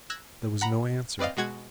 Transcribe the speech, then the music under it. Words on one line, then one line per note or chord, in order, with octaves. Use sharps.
There was no answer.
E6 F#6 G#6 A#6
F#5 A#5 B5
C4 B4 D5 D#5 F5
B2 G#3 F#4 G#6